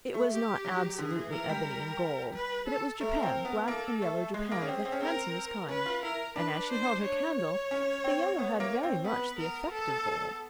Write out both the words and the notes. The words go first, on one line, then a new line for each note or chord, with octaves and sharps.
It was not absolutely ebony and gold; but it was japan, black and yellow japan of the handsomest kind; and as she held her candle, the yellow had very much the effect of gold.
A3
G4
F#3
D3 G#4
E3
E3 A#4
G3
B4
A4
A3 A#4
C4
B3
A#3 A4
A3
G#3 G#4
A#3
C#4
C4
C4
C#4
C4 A#4
C#4 B4
F4
E4 A#4
D4 B4
C5
C#5
C#4
C4
B3
A#3
C4
B3 B4
A#4
A4